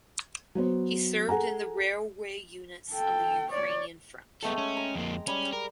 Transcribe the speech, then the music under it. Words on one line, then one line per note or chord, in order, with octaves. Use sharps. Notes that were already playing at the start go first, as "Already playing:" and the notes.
He served in the railway units on the Ukrainian Front.
F#3 B3 C5
G#4 A4 F#5 G#5 A#5
A4 G5
C#5 D5
G#3 A3 B3 A4 G5
C#4
A#5
F2 A#3
G3 C#4 B5
A#4